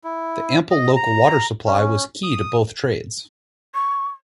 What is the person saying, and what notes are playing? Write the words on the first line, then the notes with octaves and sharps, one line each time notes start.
The ample local water supply was key to both trades.
E4
D#5
A#5
C#4
D#6
C#6